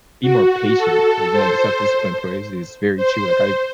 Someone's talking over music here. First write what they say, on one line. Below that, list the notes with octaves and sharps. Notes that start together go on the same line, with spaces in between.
be more patient, like, you know, the self-discipline place is very true, like, I
F#4
A4
C5
C5